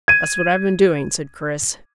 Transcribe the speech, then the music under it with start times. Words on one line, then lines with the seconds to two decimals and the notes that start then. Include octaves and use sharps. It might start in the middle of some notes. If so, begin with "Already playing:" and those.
"That's what I've been doing," said Chris.
0.08 G#6 D#7